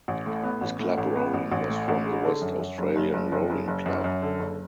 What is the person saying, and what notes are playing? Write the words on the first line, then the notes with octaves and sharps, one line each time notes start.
His club rowing was from the West Australian Rowing Club.
A1
A2
B3
A1
A2
A1
B3
A1
A1
A2
A1
G#3
D3
F#2
F#2
F#1
F#1
F#1
F#1
F#1
F#1
F#2
F#2
D3
F#1